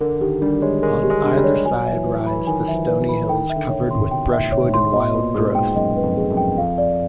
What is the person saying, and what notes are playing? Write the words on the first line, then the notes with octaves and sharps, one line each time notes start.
On either side rise the stony hills covered with brushwood and wild growth.
D3 A#4
D#3 G4
G3 D4
G#3 C#5
G#3 A#4
G4
G#3
D4
G3
C#5
F#3 G#5
E5
E3
B4
E3
B5
D#3 G#5
E5
F3
B4
E3
B5
D#3 G5
E5
D3
C#5
C3
C6
B2 G5
E5
A2
C#5
G#2
C6
B2 D#5
A#2 B4
G#2 G#4
G#2 G5
F#2 D#5
B4
F2
G#4
F#2
G5
F2 F5
D5